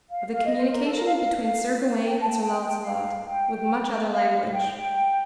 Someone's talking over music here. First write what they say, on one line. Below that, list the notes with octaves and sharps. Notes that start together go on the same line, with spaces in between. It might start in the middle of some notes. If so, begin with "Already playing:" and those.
Of the communication between Sir Gawaine and Sir Launcelot, with much other language.
F5
F5
D#5
C5
A#4
A4
A#4
F5
F5
G5
A5
G5
G5
F5
G5
F5
F5
G5
G5